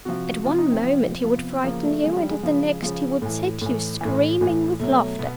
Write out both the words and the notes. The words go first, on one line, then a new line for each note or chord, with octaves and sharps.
At one moment he would frighten you, and at the next he would set you screaming with laughter.
C3 F3 F#4
C3 F3 F4
D#4
C4
C3 F3
C3 F3 B3
C#3 F3 A#3
A3
C#3 F3 G#3
G3
G#3
C#3 F3
C#3 F3
A2 E3
A2 E3
A2 E3
A2 E3
B2 F#3 A3
B2 B3